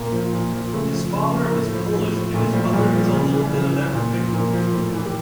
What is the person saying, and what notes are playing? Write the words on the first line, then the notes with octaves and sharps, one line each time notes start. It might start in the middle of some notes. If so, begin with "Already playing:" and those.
His father is Polish, and his mother is "a little bit of everything".
Already playing: A#2 A#3
F3
A#2
F3
C#3 A3
F3
C#3
F3
A#3
A2 A3
F3
A2
F3
A#2 A3
F3 G3
A#2 G3
F3
C#3
E3
C#3
E3
A#2
F3
A#2 A#3
F3
A2
E3
G4